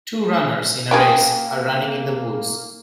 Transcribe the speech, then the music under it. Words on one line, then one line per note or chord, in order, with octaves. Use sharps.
Two runners in a race are running in the woods.
A#3 C#4 G4 G#4 G5